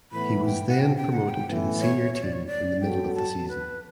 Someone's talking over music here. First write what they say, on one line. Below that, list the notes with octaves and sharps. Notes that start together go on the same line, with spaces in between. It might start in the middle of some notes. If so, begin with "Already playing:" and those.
He was then promoted to the senior team in the middle of the season.
A2 E3 B3 B5
G5
F#5
G5
G5
F#5
G5
A2 E3 B3
C#5
C#5
D5
C#5
D5
F#3 B3 F#4 A4 G5
A5
B4